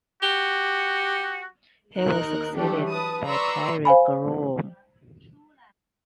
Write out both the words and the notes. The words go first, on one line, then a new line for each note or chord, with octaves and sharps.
He was succeeded by Terry Groom.
F#4 G4
D#2 D#4 A#4 F#6
E3 F#3 G3 A3 D4 G4
B4 A5 D#6
B4 D5 A#5 C6 C#6 E6
C5 F5 G#5 B5